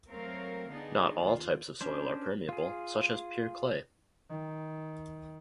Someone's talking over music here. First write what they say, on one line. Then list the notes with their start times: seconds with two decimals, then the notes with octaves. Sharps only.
Not all types of soil are permeable, such as pure clay.
0.11 F#3 A3 C4 A#4 C#5 F5
0.70 D3 B3 D4 D#4 G#4
1.19 D#2 F4
1.81 C#4 D4 C5
2.49 F4 G#4
4.30 D#3